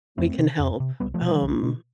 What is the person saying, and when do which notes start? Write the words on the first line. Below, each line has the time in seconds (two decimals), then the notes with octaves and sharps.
we can help, um
0.18 F2 A3 C4
0.39 C3
0.59 F2
0.80 C3
1.00 C2 G3 B3
1.14 F3 A3
1.21 B2
1.28 E3 G3
1.42 C2
1.63 B2